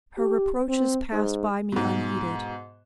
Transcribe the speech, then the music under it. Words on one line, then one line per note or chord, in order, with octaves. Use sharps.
Her reproaches passed by me unheeded.
G4
C4
G#2
G#2 B2